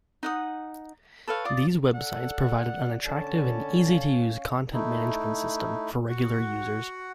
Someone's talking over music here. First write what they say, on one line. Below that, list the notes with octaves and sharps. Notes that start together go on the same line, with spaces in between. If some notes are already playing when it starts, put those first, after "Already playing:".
These websites provided an attractive and easy-to-use content management system for regular users.
D#4 F#5 D#6
A4 B4 C#5 F5
F4 D5 D6 D#6
A4 D5 F#5
D3 C#4 A5
F5
A3 D#4 E4
F#4 F#5